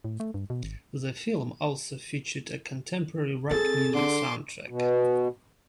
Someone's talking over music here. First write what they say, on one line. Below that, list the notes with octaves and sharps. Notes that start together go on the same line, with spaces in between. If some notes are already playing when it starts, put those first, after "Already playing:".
The film also featured a contemporary rock music soundtrack.
A2
A3
G2
B2
G#1
C4 G#4 A4 A6
D3 C6 D6
B2